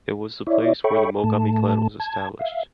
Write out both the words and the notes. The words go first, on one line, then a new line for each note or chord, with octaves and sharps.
It was the place where the Mogami clan was established.
E4 C#5 D5 E5
A4 C#5 E5 G5 B5 C#6
A2 A3 A5
A5 G#6
E5 F5